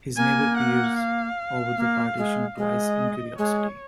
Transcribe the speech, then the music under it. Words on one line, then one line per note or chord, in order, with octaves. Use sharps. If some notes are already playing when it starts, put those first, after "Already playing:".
His neighbor peers over the partition twice in curiosity.
A#3 G#5
F#5
F5
A#3
G#3
G#3 D#5
G#3 C#5